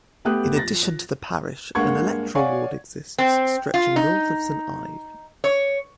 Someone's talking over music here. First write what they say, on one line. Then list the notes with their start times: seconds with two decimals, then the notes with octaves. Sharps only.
In addition to the Parish an electoral ward exists stretching north of Saint Ive.
0.25 A3 B3 G4 D#6 F#6
0.57 F3 A6 A#6
1.75 G2 G#3 A#3 F#5 C#6 G#6
2.35 C#5 D5 F5 F#5 G#5 C#6
3.18 C4
3.74 F4
3.96 D#4
5.44 C#5